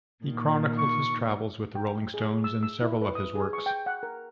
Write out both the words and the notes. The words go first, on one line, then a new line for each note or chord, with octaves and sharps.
He chronicled his travels with the Rolling Stones in several of his works.
A#2 D#3
C#6
G5
G#4
E6
E6
E4
B4
D#6
G#4
C#6
G5
F#5
A#4